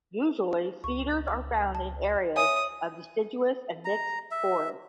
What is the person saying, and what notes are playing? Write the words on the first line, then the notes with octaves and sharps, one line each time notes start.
Usually cedars are found in areas of deciduous and mixed forest.
C#2 C#6
D6
A5
C#5 E5 G#5 D#6
A#5
E5